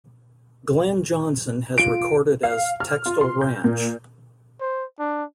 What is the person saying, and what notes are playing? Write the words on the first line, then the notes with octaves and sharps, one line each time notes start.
Glen Johnson has recorded as 'Textile Ranch'.
F4 D7
F5
F6
F4
C6
G6
A#2
C5
D4